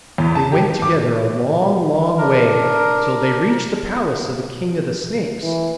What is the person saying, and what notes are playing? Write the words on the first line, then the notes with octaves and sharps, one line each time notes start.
They went together a long, long way, till they reached the palace of the King of the Snakes.
E2
A5
G4
D6
D4 A#4
E3